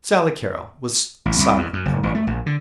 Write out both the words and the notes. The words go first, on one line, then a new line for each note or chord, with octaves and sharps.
Sally Carrol was silent a moment.
A1
C2
E2
F#2
F#1
A1
A3
A#1
D3